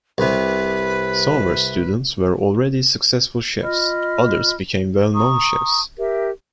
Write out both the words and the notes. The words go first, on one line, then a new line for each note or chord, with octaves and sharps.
Some of her students were already successful chefs; others became well-known chefs.
C2 C3 B4
F4 D#5 B5 F6
A#5 C#6 D#6
G4 A#4 E5